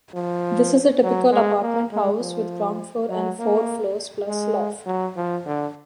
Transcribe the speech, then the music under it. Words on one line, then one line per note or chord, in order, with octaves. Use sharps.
This is a typical apartment house, with ground floor and four floors plus loft.
F3
F#3
G#3
A#3
G#3
F3
F#3
A#3
G#3
F#3
F3
D3